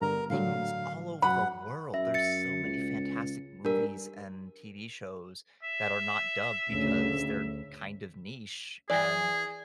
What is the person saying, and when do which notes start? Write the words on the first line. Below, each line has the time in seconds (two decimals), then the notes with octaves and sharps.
things all over the world, there's so many fantastic movies and TV shows that are not dubbed because they’re kind of niche, and
0.02 G2 D3 B3 A#4 A#5
0.30 A2 D3 F#3 F5
1.22 F#2 F#3 F#5 B5
1.94 F#2 E5
2.14 A6 C#7
2.63 C#2
3.65 G2 D4 A#4
5.63 E5
6.69 D2 C#3
8.90 E3 G#4 D5